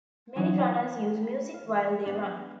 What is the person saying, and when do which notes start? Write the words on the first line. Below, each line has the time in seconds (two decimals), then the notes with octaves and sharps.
Many runners use music while they run.
0.36 E3 F#3 C#4 D#4 F#4
0.58 D5 G5 A5 A#5 C#6
1.23 B5
1.54 F5
2.06 B3 D4